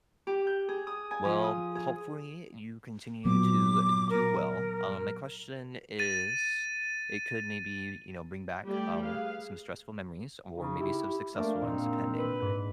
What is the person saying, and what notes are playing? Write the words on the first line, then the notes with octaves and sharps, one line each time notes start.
Well, hopefully, you continue to do well, um, my question is it could maybe, you know, bring back, um, some stressful memories or maybe some successful ones depending,
G4
G6
G#4
D#6
G#5
F3
D#6
G#4
A#2 F#3 B3 D6
A#4
A6 D#7
G3 A3 G4 D5 G5
G#4 B4 F5
C#3 D#4
E4 G4
A3 A#3 D4 A#4 D5
A#2 C4 D#4
B4
G#2